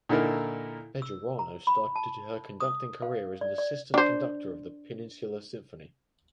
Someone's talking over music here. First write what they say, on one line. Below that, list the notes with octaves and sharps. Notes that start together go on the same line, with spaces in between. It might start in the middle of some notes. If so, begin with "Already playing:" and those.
Bejarano started her conducting career as an assistant conductor of the Peninsula Symphony.
A#2 D3 D#4 E4 A4 A#4
E6
A#5
B5
A5
D#6
F5
D5
D5
D4 C5